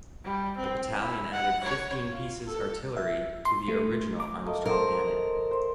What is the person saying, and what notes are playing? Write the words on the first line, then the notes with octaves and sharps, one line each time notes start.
The battalion added fifteen pieces artillery to the original Armstrong cannon.
G3
C4
E4
F#5
C#5
F4
A4
E5
C6
A3
D6
A3 A#3 D#5
A4 A#4 C5
C5